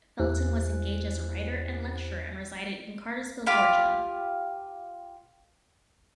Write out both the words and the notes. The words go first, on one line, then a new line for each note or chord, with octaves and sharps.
Felton was engaged as a writer and lecturer and resided in Cartersville, Georgia.
E2 E4 G4 C5 G#5 F#6
F4 G4 F5 B5